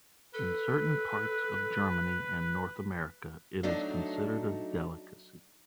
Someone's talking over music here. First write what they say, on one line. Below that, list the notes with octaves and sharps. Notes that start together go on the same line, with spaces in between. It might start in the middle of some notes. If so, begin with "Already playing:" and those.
In certain parts of Germany and North America, it is considered a delicacy.
A4 B4
F#3 A3 D4 D#4